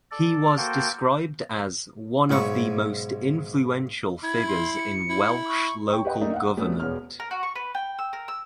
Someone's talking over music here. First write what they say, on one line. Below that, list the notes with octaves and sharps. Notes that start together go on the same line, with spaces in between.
He was described as "one of the most influential figures in Welsh local government".
A4 D5
A#3 F#4 A4 C5 G5
B1 G#2 B5 C#6
E4 G#6
C6
C#7
E4
C#6
C#5 G5 C#6
G4 B4 D#5 F#5 G5
A3 A#3 D4 D#4 D#5
F5 F#5
C#3 F#3 G3 A3 B3 C#4
E1 B3 C#5 F6
A#4
F#4
C#6
B4
G5
E6
A#4
E6